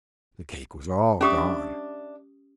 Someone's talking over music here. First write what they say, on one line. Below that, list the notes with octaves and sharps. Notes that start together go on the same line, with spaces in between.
The cake was all gone!
C#4 D4 G4 E5 D#6